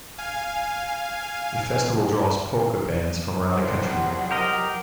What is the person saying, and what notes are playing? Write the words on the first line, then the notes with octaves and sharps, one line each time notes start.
The festival draws polka bands from around the country.
F5 G#5
C2 F2 F3 F#3 C5 F#5
G4 A#4 D#5